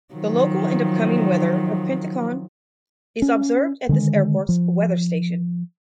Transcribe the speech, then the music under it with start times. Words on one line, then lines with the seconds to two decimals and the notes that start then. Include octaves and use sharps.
The local and upcoming weather of Penticton is observed at this airport's weather station.
0.14 D#3 F3 F#3
3.22 C#4
3.89 D3 D#3 G#3
4.49 F3